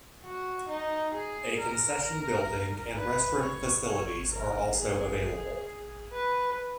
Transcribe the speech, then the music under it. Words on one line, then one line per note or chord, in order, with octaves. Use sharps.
A concession building and restroom facilities are also available.
F#4
D#4
G#4
A#4
B4
C#5
C#5
A#4
G#4
B4